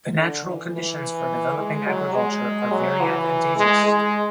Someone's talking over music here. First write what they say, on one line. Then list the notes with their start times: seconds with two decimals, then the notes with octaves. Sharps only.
The natural conditions for developing agriculture are very advantageous.
0.16 D3
0.44 E3
0.73 E3
1.58 G#3
1.87 F#3
2.15 G#3
2.71 F#3
3.01 E3
3.57 G#3
3.86 G#3